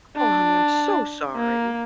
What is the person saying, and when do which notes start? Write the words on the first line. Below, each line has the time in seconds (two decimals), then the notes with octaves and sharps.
Oh, honey, I'm so sorry.
0.17 D4
1.36 A#3